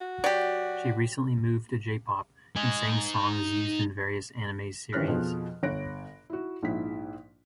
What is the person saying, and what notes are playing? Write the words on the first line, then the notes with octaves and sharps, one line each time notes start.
She recently moved to J-Pop and sang songs used in various anime Series.
F#4
F#3 G4 D5
D#4 G#5
G#1 D#3 E3 C#4 F6 F#6
F2 B2 F3 G#4
G1 C#5 F#6 A#6 D7
E4 F#4
A#1 G#2 E4 B6